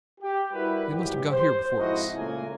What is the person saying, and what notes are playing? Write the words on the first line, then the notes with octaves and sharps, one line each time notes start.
"They must have got here before us."
G4
G3 E4 F#4 A#4 B4
G#2 E3 F#3 G4
C5
F2 G#2 D#4 E4 F#4 D#5
C#2 A#2 C#3 A3 A#3 G#5